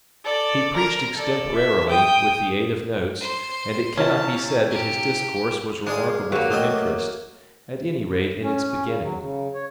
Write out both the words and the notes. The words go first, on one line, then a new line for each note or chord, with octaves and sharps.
He preached extemporarily, with the aid of notes; and it cannot be said that his discourse was remarkable for interest, at any rate in its beginning.
A4 D5
A#4 A#5
A4 D5
E5
G5 D#6
C5
C3 E3 C#4 F4 A5
G4
G#3 D4 G#4 F5
F#3 A#3
A3 G4 D#5
C#4
C#3
F#3
C#3
C#5